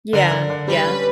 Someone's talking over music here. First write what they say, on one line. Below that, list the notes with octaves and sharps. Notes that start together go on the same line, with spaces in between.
Yeah, yeah.
D3 A#4
D3
D3
G3 B4
C#4